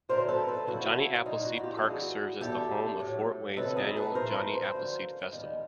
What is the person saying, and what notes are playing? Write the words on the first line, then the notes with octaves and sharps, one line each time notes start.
Johnny Appleseed Park serves as the home for Fort Wayne's annual Johnny Appleseed Festival.
D2 D3 F#3 A#4 C5
A4 B4
A4 B4
D2 C#3 F3 E4 F#4
A#2 G3 D#4 F4
E4 F#4
F#4
F4 G4
A4
G2 E3 G3 F#4 G#4
E2 B2 G3 G4 A4
A2 F#3
D2 C3 D#3 F#3 A4 B4
G#4 A#4
A4 B4
A2 F3 A#4 C5
A4 B4
A#4 C5
F#2 D3 F3
D#2 D#3 G3